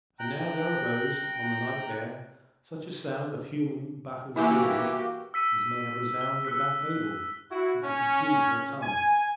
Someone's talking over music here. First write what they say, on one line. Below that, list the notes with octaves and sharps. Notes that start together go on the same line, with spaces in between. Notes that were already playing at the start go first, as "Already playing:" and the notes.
And now there arose on the night air such a sound of human baffled fury as may have resounded about Babel at the confusion of tongues.
G5 A#5 F#6
E3 A#3 E4 F#4 G4 E5 G#5
E6 B6 D#7
G7
E6 F#6 B6
E4 F#4
C#4
G#5